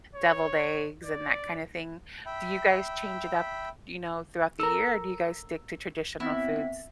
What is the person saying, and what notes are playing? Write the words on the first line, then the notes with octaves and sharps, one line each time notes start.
deviled eggs and that kind of thing. Do you guys change it up, you know, throughout the year, or do you guys stick to traditional foods?
C#5
D5
E5 G5 B5
A4 A#4 E6
B3 C4 E4 B6